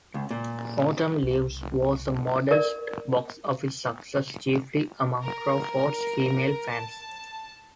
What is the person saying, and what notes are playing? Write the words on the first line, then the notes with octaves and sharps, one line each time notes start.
"Autumn Leaves" was a modest box-office success, chiefly among Crawford's female fans.
C#2
A#2
C2
A#4 D5
A#4
A5